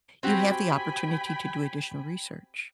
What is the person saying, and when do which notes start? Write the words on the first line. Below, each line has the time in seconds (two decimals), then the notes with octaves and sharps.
you have the opportunity to do additional research,
0.23 C4 F#4 G4 G5 G#5 B5